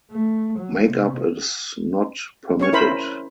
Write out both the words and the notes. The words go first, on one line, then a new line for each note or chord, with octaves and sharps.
Make up is not permitted.
A3
F#3
C3
C#4 C#5 C#6
E4 A#4 C5 B5